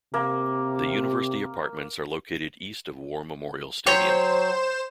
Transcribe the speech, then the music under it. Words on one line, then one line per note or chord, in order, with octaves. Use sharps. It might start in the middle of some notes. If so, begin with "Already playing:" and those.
The University Apartments are located east of War Memorial Stadium.
C3 A#3
F#3 C5 C#5 G5 E7